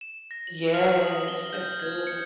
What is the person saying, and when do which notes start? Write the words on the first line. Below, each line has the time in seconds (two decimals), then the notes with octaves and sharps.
Yes, that's good.
0.01 E7
0.31 A#6
0.47 F#7
0.73 F6
1.04 D#6
1.28 G7
1.53 G6
1.82 G#6
2.07 C#7